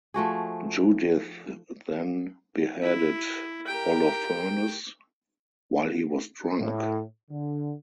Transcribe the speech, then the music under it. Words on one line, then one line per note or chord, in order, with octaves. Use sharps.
Judith then beheaded Holofernes while he was drunk.
F3 A3 F#4 G#4
E4
G4 A#4 G5
A2
D3